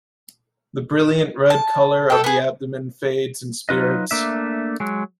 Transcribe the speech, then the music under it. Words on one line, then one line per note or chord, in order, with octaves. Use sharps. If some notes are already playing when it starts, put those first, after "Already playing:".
The brilliant red colour of the abdomen fades in spirits.
A5
A4 G5
B3 G#4
F#3 D#4 F4 B4 D#5
A3 A#3 D4 E5
F#3 G#3